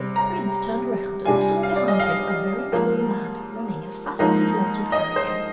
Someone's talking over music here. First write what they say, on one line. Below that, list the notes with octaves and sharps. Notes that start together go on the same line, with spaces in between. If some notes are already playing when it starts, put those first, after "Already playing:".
The prince turned round and saw behind him a very tall man, running as fast as his legs would carry him.
Already playing: C3 G3 C4
A#5
C3 G3 D4 F4 G#5
F5
D5
D#5
F5
G#2 F3 A#3
G#2 F3 A#3 D#4
D#5
C5